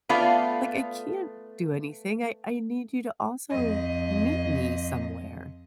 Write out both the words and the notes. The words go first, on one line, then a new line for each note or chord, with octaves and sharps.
like, I can't do anything, I I need you to also meet me somewhere."
A3 B3 F4 A4 D5 F5
F2 D#5